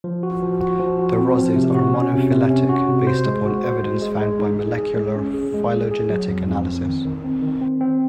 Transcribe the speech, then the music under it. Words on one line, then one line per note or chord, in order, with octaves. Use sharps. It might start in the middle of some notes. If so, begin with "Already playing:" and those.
The rosids are monophyletic based upon evidence found by molecular phylogenetic analysis.
F3
F#4
F3
F#4
F3
F#4
C4
F3
C3
F#4
C#4
C3
C3
C#4
F#4
C3
C5
G#3
F#4
C5
G#3
G#3
G#3
D#4
G#4
G#4
G#3
C#4
G#4
G#3
G#4
G#4
F#3
F2
F2
C4
D#3
D#3
C4
D#3
C4
C4